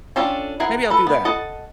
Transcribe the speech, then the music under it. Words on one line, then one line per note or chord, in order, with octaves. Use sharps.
Maybe I'll do that.
C#4 D4 F4 A4 G5
E3 G#4 A#4 F#5
A4 B4
B3
A4 D#5 F#5 A5